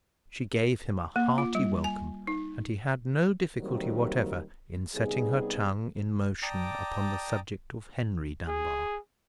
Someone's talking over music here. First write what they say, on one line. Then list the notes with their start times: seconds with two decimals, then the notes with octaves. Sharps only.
She gave him a hearty welcome, and he had no difficulty whatever in setting her tongue in motion upon the subject of Henry Dunbar.
1.16 A#3
1.38 F4
1.55 G3
1.84 G#5
2.27 D#4
3.60 D3 D#3 F#3 G3 A#3 C4
4.94 C3 G3 B3 D#4 G#4
6.43 D5 G5 A5 A#5 D6 D#6
8.48 G#4